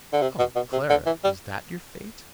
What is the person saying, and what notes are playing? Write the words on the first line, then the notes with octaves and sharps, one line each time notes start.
"Oh, Clara, is that your fate!"
D3
C3
B2
B2
C3
D3
E3
G3